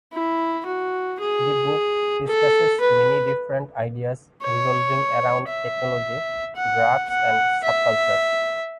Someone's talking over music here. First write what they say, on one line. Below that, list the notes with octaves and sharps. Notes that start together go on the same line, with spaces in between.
The book discusses many different ideas revolving around technology, drugs and subcultures.
E4
F#4
G#4
A4
B4
C#5
E5
F#5
F#5
E5